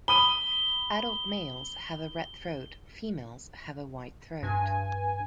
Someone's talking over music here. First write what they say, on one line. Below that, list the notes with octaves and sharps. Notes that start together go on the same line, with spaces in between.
Adult males have a red throat; females have a white throat.
B5 D#6 D#7 G7
G2 G#5